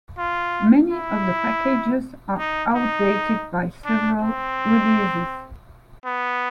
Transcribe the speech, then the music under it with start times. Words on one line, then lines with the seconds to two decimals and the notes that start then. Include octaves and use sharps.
Many of the packages are outdated by several releases.
0.18 F4
0.92 E4
2.39 D#4
2.74 D#4
3.85 D4
4.22 C4
6.05 B3